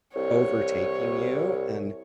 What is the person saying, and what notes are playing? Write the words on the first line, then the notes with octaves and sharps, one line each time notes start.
overtaking you, and
C2 C#5